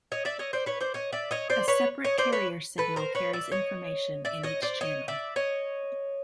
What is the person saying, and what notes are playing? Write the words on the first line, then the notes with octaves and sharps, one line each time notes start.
A separate carrier signal carries information in each channel.
C#5 D#5
D5 E5
C#5 D#5
C5 D5
B4 C#5
C5 D5
C#5 D#5
D5 E5
C#5 D#5
C5 D5
B4 C#5
C#5 D#5
C5 D5
B4 C#5
A4 B4
A#4 C5
B4 C#5
D5 E5
C#5 D#5
D5 E5
C#5 D#5
C5 D5
C#5 D#5
D5 E5
C#5 D#5